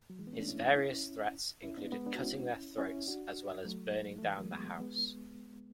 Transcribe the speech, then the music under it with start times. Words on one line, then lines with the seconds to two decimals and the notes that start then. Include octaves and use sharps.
His various threats included cutting their throats as well as burning down the house.
0.10 F#3
0.19 E3 G#3
0.27 B3
0.33 A3 C#4
0.41 D4
0.48 C#4 E4
0.67 D4
0.76 C#4 E4
1.63 C#4 E4
1.77 B3 D4
1.92 G#3 B3
2.06 B3 D4
2.15 F#4
2.21 C#4 E4
2.78 C#4 E4
3.08 D4 F#4
3.65 F#3 A3
4.18 A3
4.22 E3 G#3
4.37 F#3 A3
4.51 G#3 B3
4.80 G#3 B3